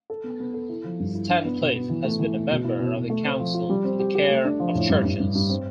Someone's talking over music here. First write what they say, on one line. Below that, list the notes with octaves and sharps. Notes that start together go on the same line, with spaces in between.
Stancliffe has been a member of the Council for the Care of Churches.
A4
B3
B3
A4
E4
F3
G2
E4
D4
B3
B2
B3
E3
A3
E3
A3
B2
E4
B2
B2
A3
C4
F3
F4
G3
C4
G4
G4
A3
D4
F3
A2
G2
G2
G2
G2
C4